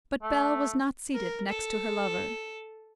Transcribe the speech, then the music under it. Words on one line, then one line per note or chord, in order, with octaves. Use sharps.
But Bell was not seated next to her lover.
A3
A#4
A4